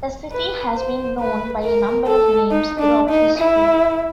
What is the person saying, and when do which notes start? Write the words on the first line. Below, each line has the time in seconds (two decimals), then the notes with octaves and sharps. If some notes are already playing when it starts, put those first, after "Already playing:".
The city has been known by a number of names throughout history.
0.32 B4
0.76 C5
1.20 B4
1.63 A#4
2.07 A4
2.51 D#4
2.80 D4
3.09 D#4
3.38 E4